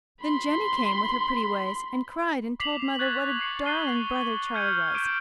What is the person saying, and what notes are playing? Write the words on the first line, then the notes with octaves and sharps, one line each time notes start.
Then Jenny came with her pretty ways, and cried, and told mother what a darling brother Charley was.
B5 C6
D6 B6 C7 F7 F#7
C#6 F#6 G#6 A6 B6
C#6 C7 C#7
C#6 F#6 A6 C7 D#7 G7
F6 G6 G#6 C#7 D#7
D6 F6 G6 D7 D#7